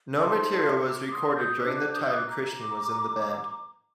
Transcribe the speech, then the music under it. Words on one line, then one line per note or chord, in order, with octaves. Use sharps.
No material was recorded during the time Christian was in the band.
D#4 A4 C5 A5 C6
A5 C6
A#5 D6
C6 D#6
D#6 G6
D4 G4 C5 D6 F#6
D6 F#6
D#6 G6
D6 F#6
A#5 D6